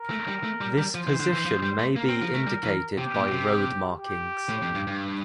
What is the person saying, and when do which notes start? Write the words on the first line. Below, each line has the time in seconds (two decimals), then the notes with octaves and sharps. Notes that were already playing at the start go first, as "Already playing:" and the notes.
This position may be indicated by road markings.
Already playing: A#4
0.10 A3
0.28 G3
0.44 A3
0.61 G3
0.78 G3
0.95 F3 C5
1.07 E3
1.20 D3
1.33 E3
1.46 F3
1.63 G3
1.79 A3
1.96 A#3 A#4
2.09 C4
2.22 F3
2.34 A3
2.47 G3
2.64 E3
2.97 C3 G4
3.15 A#2
3.32 C3
3.98 G4
4.50 A2
4.62 F2
4.75 G2
4.87 G2